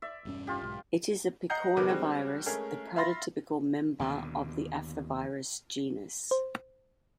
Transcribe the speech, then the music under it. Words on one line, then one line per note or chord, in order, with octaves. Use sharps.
It is a picornavirus, the prototypical member of the "Aphthovirus" genus.
D5 E5
E1 G2 C#4
F4 G4
B1 G#2
D#5 F#5 A#5 G6 C7
F#1 E2 B2 A#4 B4 D6
G3 G#3 C4 D4 F#4
G#3 A3 C#4 G#4 A#4
E5 F5 B5 C6 A6 A#6
D#2 B2 D3
C5